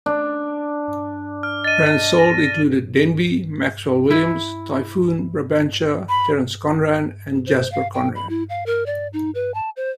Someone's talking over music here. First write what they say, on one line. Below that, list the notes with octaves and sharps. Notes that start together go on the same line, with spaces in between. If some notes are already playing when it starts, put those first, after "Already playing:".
Brands sold included Denby, Maxwell Williams, Typhoon, Brabantia, Terence Conran and Jasper Conran.
D4
F6
D#5 A6 D#7
A#6
E4
B5
C5
F5
G5
B5
E4
F5
A#4
D5
D#4
B4
A5
C5